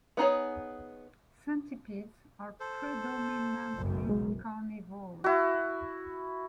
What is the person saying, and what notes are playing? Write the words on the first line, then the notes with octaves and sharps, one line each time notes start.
Centipedes are predominantly carnivorous.
B3 D#4 G#4 C#5
A4 C5
F#1 B1 F#2
G#3
E4 F#4